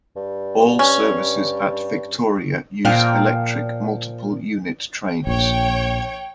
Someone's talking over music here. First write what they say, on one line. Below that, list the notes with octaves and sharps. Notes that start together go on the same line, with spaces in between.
All services at Victoria use electric multiple unit trains.
G2
C#4
A#2 F3 F5 G5
A#1 C#5 G5